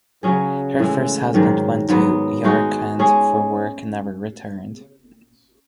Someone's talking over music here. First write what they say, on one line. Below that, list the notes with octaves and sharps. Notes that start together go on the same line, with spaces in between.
Her first husband went to Yarkand for work and never returned.
C#3 F#3 C#4 G#4
A2 E3 G#3
G#2 D#3 F#3
G#2 F#3 B3
G#3 D#4 F#4
G#3 C#4 G#4